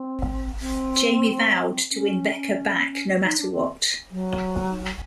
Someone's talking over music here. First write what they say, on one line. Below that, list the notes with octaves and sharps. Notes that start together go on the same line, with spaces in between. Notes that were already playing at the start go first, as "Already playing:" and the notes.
Jamie vowed to win Becca back no matter what.
Already playing: C4
C4
C#4
C#4
D#4
D4
C4
F#3